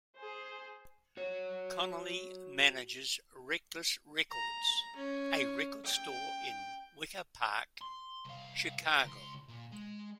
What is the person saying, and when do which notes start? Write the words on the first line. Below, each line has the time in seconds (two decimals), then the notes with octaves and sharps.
Connelly manages Reckless Records, a record store in Wicker Park, Chicago.
0.17 G#4 C5
1.17 F#4 C#5
4.31 A#5
4.96 C#4
5.84 G5
7.81 C6
8.25 C2 F5
8.83 B4 A#5
9.04 C#2 C6
9.48 A#2
9.71 G#3